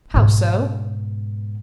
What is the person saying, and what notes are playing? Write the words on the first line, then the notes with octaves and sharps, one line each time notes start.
"How so?"
G#2 B2